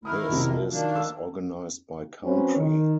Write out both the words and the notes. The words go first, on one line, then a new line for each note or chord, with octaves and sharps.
This list is organized by country.
D#3 E4 A#4 D#6 F6 F#6
B1 F2 C3
F3 F#3
D#3 A#3 D4
F5 E6
F#3 C4 C#4 B4
D#3